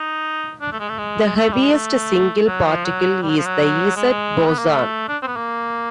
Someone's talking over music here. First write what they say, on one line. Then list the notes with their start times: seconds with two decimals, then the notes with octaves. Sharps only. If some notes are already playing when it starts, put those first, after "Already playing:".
The heaviest single particle is the Z boson.
Already playing: D#4
0.61 D4
0.73 A3
0.80 G#3
0.89 A3
0.98 G#3
1.36 A3
1.52 G3
1.62 G#3
1.73 A3
2.47 F#3
2.66 F3
2.85 F#3
3.22 G3
3.29 F#3
3.37 F3
3.45 F#3
3.96 G#3
4.47 B3
4.58 A#3
4.71 A3
5.08 D4
5.22 C4
5.27 B3
5.36 A#3